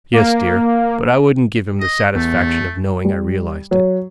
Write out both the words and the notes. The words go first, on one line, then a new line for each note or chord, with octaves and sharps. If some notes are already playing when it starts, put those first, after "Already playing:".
"Yes, dear; but I wouldn't give him the satisfaction of knowing I realized it."
A#3
D#5
E2 A3
G3
F#3